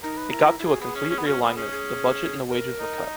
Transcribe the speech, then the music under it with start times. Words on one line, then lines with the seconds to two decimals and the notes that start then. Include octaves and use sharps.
It got to a complete realignment, the budget and the wages were cut.
0.03 D#4 A#4
0.17 B4
0.31 E4 A#4
0.59 E4
0.65 F#4 G#4
0.80 B3 G#4
0.95 C#4
1.10 C#4
1.18 B3
1.26 C#4 F#4
1.41 B3 A#4
1.56 C#4 G#4
1.71 G#4
2.49 A#4
2.79 D#4